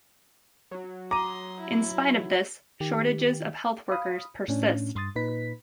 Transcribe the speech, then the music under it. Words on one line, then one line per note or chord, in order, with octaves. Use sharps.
In spite of this, shortages of health workers persist.
F#3
A#5 C6 D6 D#6 D#7
E4
D#3 G4
F5 B5 D#6
A2 C#4 D4
G2 C6 D#6 A6
A#2 D#4 B4 B6